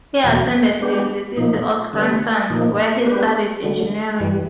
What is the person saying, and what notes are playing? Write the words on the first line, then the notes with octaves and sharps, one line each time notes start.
He attended the University of Scranton, where he studied engineering.
E2 B2 F#3
G#3 B3 D4 G4
A#2 F3 A#3 D#4
D3 G3 B3
A#2 F3 A#3 D#4
G#3 B3 D4 G4 B4
D3 F#3 A3
G2 E3 G3